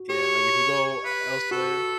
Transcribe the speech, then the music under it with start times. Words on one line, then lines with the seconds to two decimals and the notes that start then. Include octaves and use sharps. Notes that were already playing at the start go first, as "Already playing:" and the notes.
Yeah, like, if you go elsewhere
Already playing: F#4
0.10 G4 C#5
1.05 B4
1.51 F#4 A4